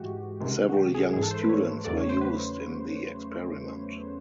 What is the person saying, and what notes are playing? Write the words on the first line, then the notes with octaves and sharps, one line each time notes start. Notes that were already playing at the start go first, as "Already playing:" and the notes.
Several young students were used in the experiment.
Already playing: G#2 E3 G#3 F#4 G4
C#2 C3 D#3 G#3
F#4
G4
G#4
G#2 E3 G#3 G#4
A4
C5
B4
C#5
E2 C#3 F#3 A3 D5
C#5
C5
B4